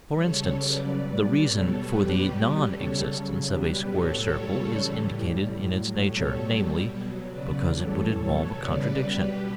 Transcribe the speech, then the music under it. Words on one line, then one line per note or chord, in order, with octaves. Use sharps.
For instance, the reason for the non--existence of a square circle is indicated in its nature, namely, because it would involve a contradiction.
C#3 G3 A4 C#5
C#3 F#3 B4 D5
B2 G3 B4 D5
B2 G3 A4 C#5
B2 G3 G4 B4
B2 G3
C#3 G3 A4 C#5
C#3 F#3
B2 G3 G4 B4
A2 F#3 A4 C#5
C#3 G3 A4 C#5
A2 E3 G3
A2 G3
A2 F#3
B2 G3 A4 C#5
B2 G3
B2 F#3
C#3 F#3 B4 D5
A2 E3 G3 A4 C#5
B2 F#3 A4 C#5
C#3 G3 B4 D5
B2 G3 G4 B4